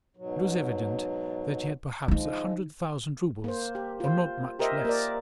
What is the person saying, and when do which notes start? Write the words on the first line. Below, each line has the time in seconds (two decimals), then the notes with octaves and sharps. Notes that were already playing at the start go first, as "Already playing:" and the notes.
It was evident that he had perhaps a hundred thousand roubles or not much less.
0.17 G#2 B2 F#3
2.08 D3 F3 G#3 D#4
3.44 A#3 C5
3.75 G4
4.00 F4 C5
4.59 G4 A#4 C5 D#5 E5
4.85 A#3 A#4 D5